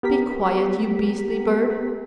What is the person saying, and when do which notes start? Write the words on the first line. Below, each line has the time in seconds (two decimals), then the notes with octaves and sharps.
"Be quiet, you beastly bird!"
0.03 B3 G4 A#4 B6